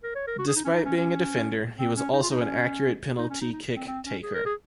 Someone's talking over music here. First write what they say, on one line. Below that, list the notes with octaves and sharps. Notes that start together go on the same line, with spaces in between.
Despite being a defender, he was also an accurate penalty kick taker.
A#4
C#5
A#4
F#4
G#4
D#4
C#4
D#4
C#4
C#4
C4
C#4
D#4
F4
D#4
C#4
D#4
C#4
D#4
D#4
C4
C4
C#4
G#4
A#4
G#4